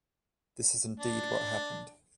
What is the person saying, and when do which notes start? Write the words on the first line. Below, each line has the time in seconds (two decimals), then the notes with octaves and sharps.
This is indeed what happened.
1.00 D4